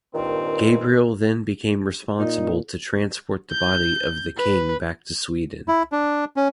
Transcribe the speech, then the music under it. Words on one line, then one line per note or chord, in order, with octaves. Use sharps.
Gabriel then became responsible to transport the body of the king back to Sweden.
G2 A#2 D#3 C4
A#2 D#4
G6
B4
E4
D4
C#4